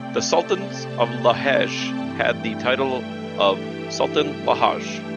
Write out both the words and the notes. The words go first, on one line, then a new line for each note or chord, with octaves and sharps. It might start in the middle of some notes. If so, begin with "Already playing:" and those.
The Sultans of Lahej had the title of "Sultan Lahj".
Already playing: C3 A3 C4 D5 G5
A5
G5
A5
G5
G2 E3 A3
E5
G4